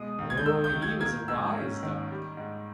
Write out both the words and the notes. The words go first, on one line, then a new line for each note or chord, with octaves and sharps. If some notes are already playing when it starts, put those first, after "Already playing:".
Oh, he was a wise dog.
Already playing: B2 G#3 D#6
D#2
G#6
G6
D#2 E6
G6
D#3
G#6
A#3 G#6
G#2 E6
C#4
D#3
G3
G#2